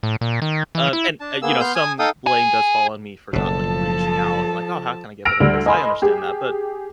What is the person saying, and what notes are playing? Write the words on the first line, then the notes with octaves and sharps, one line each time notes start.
Um, and, uh, you know, some blame does fall on me for not, like, reaching out and, like, "Oh, how can I get better at this?" I understand that, but
A2
A#2
D#3
E3
E4
D4 A5
A#3 B3 G#4 E6
B3 C6 F6 G6
G#5 D#6
D#4 A4 F5 G5 D#6
G#4
F#1 B2 F3 A4 A5
E6 F6 A#6 D7 F7
D2 G3
D#5 G#5 B5 C6
G4 G#4